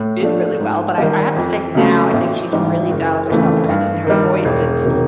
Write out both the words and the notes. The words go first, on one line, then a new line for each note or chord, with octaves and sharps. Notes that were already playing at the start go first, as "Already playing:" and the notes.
did really well. But I I have to say now, I think she's really dialed herself in, and her voice has
Already playing: A2
F3 A3 D4
G#2
D#3 G3
F2
C#3 F#3 A3
A1
G#2 E3 G3
F#1
F2 C#3 E3 A3
G2
D#3 G3
E1
C3 D#3 F#3